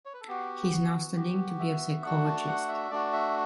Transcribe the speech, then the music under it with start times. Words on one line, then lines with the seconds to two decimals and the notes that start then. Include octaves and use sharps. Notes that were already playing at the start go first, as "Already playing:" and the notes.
He is now studying to be a psychologist.
0.05 C#5
0.14 B4
0.21 A4
0.28 B3 F#4 G4
0.71 F#4
1.15 B3 F#4 G4
1.60 E5
2.03 A3 D4 F#4 F#5
2.25 A5
2.47 F#5
2.68 E5
2.90 A3 D4 F#4 D5
3.13 E5